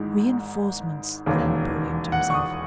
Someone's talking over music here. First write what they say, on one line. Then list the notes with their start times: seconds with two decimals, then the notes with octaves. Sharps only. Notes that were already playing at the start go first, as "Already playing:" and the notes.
"Reinforcements!" thought Napoleon to himself.
Already playing: G#1 G#2 E3 G#3
1.26 E1 D#2 C#3
2.12 F#5
2.30 C#6
2.34 D#6